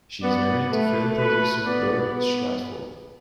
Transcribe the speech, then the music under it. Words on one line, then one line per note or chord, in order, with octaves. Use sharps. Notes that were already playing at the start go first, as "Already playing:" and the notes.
She is married to film producer Bert Stratford.
B3 D5
A3 B4
B4
B3 D5